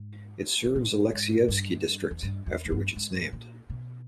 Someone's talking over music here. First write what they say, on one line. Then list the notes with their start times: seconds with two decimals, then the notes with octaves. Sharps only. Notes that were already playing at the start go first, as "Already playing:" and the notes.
It serves Alexeyevsky District, after which it's named.
Already playing: G#2
0.65 B2
0.75 A#2
1.12 G#2
1.48 G2
2.11 E2
2.23 G2
2.46 E2
2.65 G#2
2.72 G2
2.96 G#2
3.32 A#2
3.70 B2